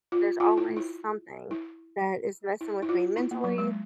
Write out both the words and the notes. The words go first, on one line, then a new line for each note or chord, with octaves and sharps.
there's always something that is messing with me mentally
F4
F4
E4
E4
E4
E4
E4
F4
E4
A#3
F#3
G#3